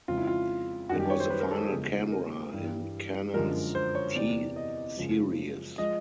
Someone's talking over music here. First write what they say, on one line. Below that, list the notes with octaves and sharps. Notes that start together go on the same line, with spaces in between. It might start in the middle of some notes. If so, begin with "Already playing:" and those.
It was the final camera in Canon's T series.
F2 C#3 F3 G#3 F4
E4
F4
F#2 D#3 G3 F#4
G4
C#5
C5
B4
A#4
A4
G#4
E2 C#3 F3 G#3
A#4
G2 E3 G3
F#2 D3 F3 G#3 A#4
C5
C#5
E2 C3 E3 D5
D#5
F#2 C#3 F3 G#3
F3 G#3 D#5